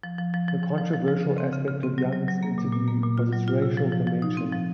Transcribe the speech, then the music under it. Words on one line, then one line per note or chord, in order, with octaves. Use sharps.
The controversial aspect of Young's interview was its racial dimension.
F3
F3
F3
F3
F3
F3
F3
F3
C#3
C4
C#3
C#3
C4
F#3
F#3
F#3
A#3
A#2
A#2
A#3
A#2
F4
F#3
F4
C3
F3
F3
F3
D#4
C4
F3